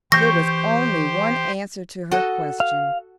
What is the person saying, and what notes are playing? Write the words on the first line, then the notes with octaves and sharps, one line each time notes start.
There was only one answer to her question.
E3 G4 C5 C#6 G6 A#6
F#4 A4 D#5
F5